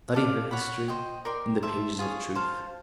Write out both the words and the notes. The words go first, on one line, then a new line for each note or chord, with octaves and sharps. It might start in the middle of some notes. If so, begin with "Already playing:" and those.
Study her history in the pages of truth.
A4 D5 F5
C#5 F#5 B5
C5 D#5 G5
A#4 D5 G5 C6
C5 E5 A5
F4 G#4 C#5
C5 F5 A5